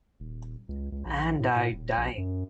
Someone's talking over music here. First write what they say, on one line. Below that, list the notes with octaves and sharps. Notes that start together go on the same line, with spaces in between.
And I dying!
D#1
C#2
C#2
A#1
A2
A2
D#1
A#1
F#2